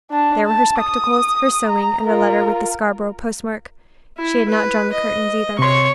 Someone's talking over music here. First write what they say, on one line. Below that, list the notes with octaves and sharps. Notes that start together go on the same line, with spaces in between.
There were her spectacles, her sewing; and a letter with the Scarborough postmark. She had not drawn the curtains either.
D4 A5
A5
D#6
A#5
F4 A#4
E4
B4
D#5
C3 C#5 C6 C#6